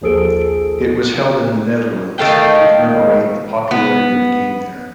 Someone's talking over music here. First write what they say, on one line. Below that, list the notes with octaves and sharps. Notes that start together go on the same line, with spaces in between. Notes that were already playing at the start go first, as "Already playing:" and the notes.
It was held in the Netherlands to commemorate the popularity of the game there.
A#1 D#2 F3 G#4 A4 D7
D#3 A3 F5 G5
B3